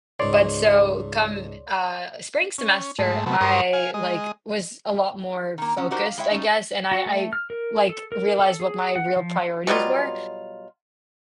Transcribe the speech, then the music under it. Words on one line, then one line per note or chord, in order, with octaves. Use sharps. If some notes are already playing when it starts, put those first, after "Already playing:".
but so, come, uh, spring semester, I like, was a lot more focused, I guess, and I I, like, realized what my real priorities were,
C#2 G#2 C#5 D5 C6
C#4
G#2 A3
C3 F#3 A3 B3
G2 A#4 C5 C#6 D#6
F5 G#5
G#3 D#5
D#3 A#3
F#3 C#4
D4 D#4 F#4 G4 A#4 C5
F5
G#3 E4 C#5 E5 G5
G3 A3 C#4 D#4
F#4
A3
F6
A#4
A4
A#4
A4
G#4
F#5
F3
B2 F#3 G3 F4